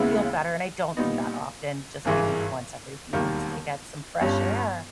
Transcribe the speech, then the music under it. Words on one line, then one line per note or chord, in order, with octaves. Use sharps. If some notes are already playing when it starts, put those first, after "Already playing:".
feel better and I don't do that often, just maybe once every few weeks to get some fresh air.
Already playing: D#2 C#3 G#3 B3 E4
A#2 G3 B3 D#4
G#1 G2 E3 G#3
E1 D#2 D#3 G3 A#3
G1 G2 G3 C#4